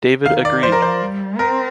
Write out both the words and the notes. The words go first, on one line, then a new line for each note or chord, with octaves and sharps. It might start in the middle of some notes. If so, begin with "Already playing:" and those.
David agreed.
D#3 F5
D5
F3 C5
A#4
C5
G3
C4 A#4